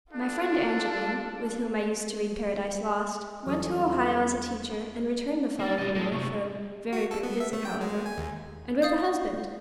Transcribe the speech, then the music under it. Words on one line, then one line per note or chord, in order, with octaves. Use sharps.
My friend Angeline, with whom I used to read "Paradise Lost," went to Ohio as a teacher, and returned the following year, for a very brief visit, however,--and with a husband.
D4 F4 A4
E2 F#3 G3 A4 D#6
A#3 D5
B1 F#2 A2 D#5
G#3 A4
C3 C#6
F#4
A4
B3
E5
A3
G5
G#3
G#5
D#2
D5 F5 D#6 G6